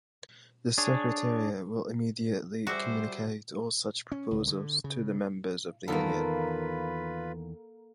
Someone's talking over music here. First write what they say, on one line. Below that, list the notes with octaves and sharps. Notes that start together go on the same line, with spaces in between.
The Secretariat will immediately communicate all such proposals to the Members of the Union.
D4 G#4 C#5
G3 F#4 G#4 C5 D5 E5
C#4
C#2
D3
C#3
E2 D#3 A#3 F4 A4 B4 B5